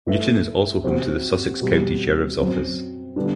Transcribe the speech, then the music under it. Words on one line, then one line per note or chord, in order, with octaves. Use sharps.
Newton is also home to the Sussex County Sheriff's Office.
A3 E4 B4 E5
C3 F#3 C4 F#4
B2 G3 C4 G4
F#2 F#3 C4
D3 G3 B3 D4